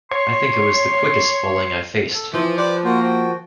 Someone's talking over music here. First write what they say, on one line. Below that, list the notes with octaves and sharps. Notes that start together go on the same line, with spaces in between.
I think it was the quickest bowling I faced.
C#5 C6
A4
E3 F3 C5
G4 B4 C5 D5
A#3 F#4 C5
F#4 G5